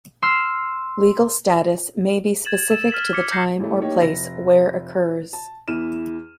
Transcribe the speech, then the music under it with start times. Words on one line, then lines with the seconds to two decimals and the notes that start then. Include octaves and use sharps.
Legal status may be specific to the time or place where occurs.
0.22 C6 E6 F6 C7
2.45 G#6 A6 E7 F#7
2.70 E6 A6 E7
2.91 F6 A6 B6 F#7
3.13 D6 G#6 B6 C#7
3.31 G6 G#6 A#6 C7 C#7
3.60 A1 E3 G3 A3
3.82 A#3 D#4 G4 C#5
4.01 F1 A#6
5.33 A5
5.68 E2 E3 E4 F6 D#7 E7